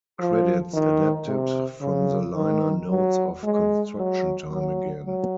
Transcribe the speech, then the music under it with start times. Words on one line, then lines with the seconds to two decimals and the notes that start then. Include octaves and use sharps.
Credits adapted from the liner notes of "Construction Time Again".
0.19 F3
0.73 D#3
1.27 C3
1.81 C#3
2.35 D#3
2.89 F#3
3.44 G#3
3.98 F#3
4.51 F#3
5.06 F#3